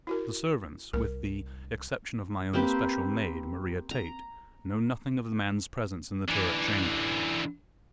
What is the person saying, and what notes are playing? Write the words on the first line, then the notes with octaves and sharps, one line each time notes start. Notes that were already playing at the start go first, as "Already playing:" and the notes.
The servants--with the exception of my own especial maid, Maria Tait--know nothing of the man's presence in the turret chamber.
E4 F#4 A#4
C2 A#4
A#3 C4 G4 B4
A#5
D3 E3